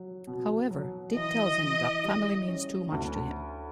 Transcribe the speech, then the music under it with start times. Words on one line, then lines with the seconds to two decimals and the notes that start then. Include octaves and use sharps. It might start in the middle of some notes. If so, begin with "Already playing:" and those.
However, Dick tells him that family means too much to him.
Already playing: F#3
0.27 B2
0.71 F#3
1.15 E3 D#5
1.59 E3
2.04 G3
2.47 C#4
2.92 D2